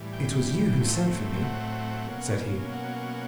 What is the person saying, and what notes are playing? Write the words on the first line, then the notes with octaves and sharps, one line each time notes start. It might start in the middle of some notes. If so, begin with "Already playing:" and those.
"It was you who sent for me," said he.
Already playing: A2 E3 G3
G5
A2 F#3 A3 C4
G5
F#5
B2 F#3 A#3 C#4
F#5